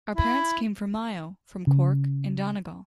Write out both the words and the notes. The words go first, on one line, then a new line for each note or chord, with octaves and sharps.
Our parents came from Mayo, from Cork and Donegal.
E4
C#3